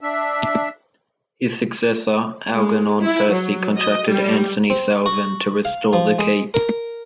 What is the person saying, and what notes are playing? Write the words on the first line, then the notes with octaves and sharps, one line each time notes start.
His successor, Algernon Percy, contracted Anthony Salvin to restore the keep.
D4 E5
G#3
E4
F#3
D#5
G3
C4
F#4
F5
F3
G#3
A#4